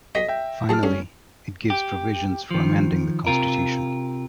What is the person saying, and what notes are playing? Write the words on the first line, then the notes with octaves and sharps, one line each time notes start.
Finally, it gives provisions for amending the constitution.
B1 D5 D#5 A#6 B6
E5 G5
F#3 G#4 A4 A5 F6
D2 G2 D3 C#4
G4
D#3 F3
C3 F4 A#4